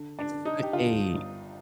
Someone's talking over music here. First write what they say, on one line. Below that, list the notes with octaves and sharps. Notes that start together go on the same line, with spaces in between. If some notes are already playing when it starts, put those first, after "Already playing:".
it's such a
Already playing: D3
D4
D3
D#4
G4
D3 F4
G1